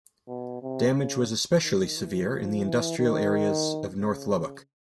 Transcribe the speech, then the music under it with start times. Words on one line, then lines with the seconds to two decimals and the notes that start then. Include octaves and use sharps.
Damage was especially severe in the industrial areas of north Lubbock.
0.28 B2
0.62 C3
0.95 C#3
1.63 D#3
1.97 E3
2.30 F3
2.64 E3
2.98 D#3
3.98 C#3